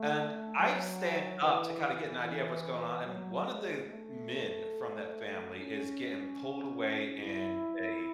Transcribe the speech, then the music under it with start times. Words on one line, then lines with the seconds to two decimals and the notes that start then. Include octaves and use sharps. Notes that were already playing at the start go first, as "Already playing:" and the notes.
and I stand up to kinda get an idea of what's going on, and one of the men from that family is getting pulled away in they
Already playing: A3
0.57 F#3
1.40 E3
2.22 E3
3.05 F#3
3.47 G#3
3.88 A3
5.54 C#4
7.19 E4